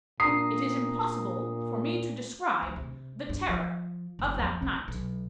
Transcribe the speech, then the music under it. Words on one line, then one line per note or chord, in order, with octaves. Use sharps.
It is impossible for me to describe the terror of that night. . .
A#2 D4 A#5 D#6 C7
D2
C3
G2
F3
F#1
F2
C3
B1